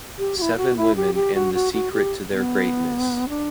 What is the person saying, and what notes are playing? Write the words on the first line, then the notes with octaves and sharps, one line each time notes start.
Seven Women And The Secret To Their Greatness.
G4
F#4
E4
F#4
E4
G4
G4
F#4
F#4
F#4
G4
B3
D4